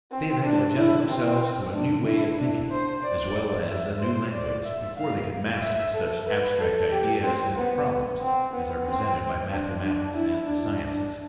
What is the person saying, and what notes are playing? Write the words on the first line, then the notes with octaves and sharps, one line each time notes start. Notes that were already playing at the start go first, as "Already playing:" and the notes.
They have had to adjust themselves to a new way of thinking, as well as a new language, before they could master such abstract ideas and problems as are presented by mathematics and the sciences.
C4
D4
E4
C4
D4
E4
D4
C5
D5
E5
C5
D5
E5
F5
E5
A4
B4
A4
G4
C4
B3
C4
B3
C4
D4
D4
E4
D4
D4